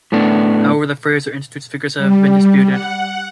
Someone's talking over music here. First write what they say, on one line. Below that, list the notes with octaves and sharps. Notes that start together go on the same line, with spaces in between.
However, the Fraser Institute's figures have been disputed.
A2 A3 B3 D4
G3
F#5